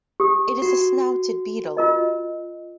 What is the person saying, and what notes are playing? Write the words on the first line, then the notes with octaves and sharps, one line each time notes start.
It is a snouted beetle.
G4 D#6
F#4
F4 A#4 D#5